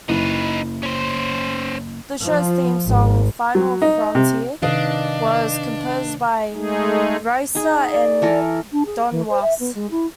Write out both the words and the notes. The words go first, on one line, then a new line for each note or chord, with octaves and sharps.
The show's theme song, "Final Frontier", was composed by Reiser and Don Was.
F#1 D#4 E4 B4
C#4 C5
F3
G#1
F#3
D#4
C3
C3 D#3 D4 B4 D#5 F5
G#3 A3 D#4 G#4
D#4 G#4
D5
E3 A4 A#4
D4
G#4
E3
C5
E5
B3
G#3
E4